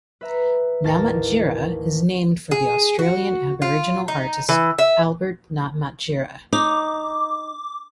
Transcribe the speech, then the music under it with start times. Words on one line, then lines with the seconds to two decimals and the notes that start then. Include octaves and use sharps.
Namatjira is named for the Australian aboriginal artist Albert Namatjira.
0.21 B4 E5 A#5
0.84 A1 D#2 A#4 A5 A6
2.51 G#4
2.99 F#4
3.62 F4
4.08 D#4
4.49 E3
4.78 E5
6.53 D#4 D6